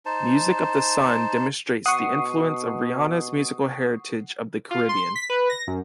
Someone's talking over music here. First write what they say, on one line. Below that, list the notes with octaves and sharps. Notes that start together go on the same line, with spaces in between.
"Music of the Sun" demonstrates the influence of Rihanna's musical heritage of the Caribbean.
D#4 C5 A5
B2 F#5 C#6 D#6 C7
F4
C6
B6
B4
A#6
F#2